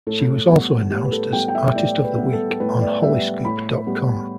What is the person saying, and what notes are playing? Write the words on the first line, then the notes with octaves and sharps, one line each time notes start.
She was also announced as Artist of the Week on Hollyscoop dot com.
A2 A4
G3 B3
A2 G4
B4
A4
G3 B3 G5
G5
E5
A2 D5
B4
G3 B3
A4
A4
A2 B4
D5
G3 B3 E5
A2 B5
G3 B3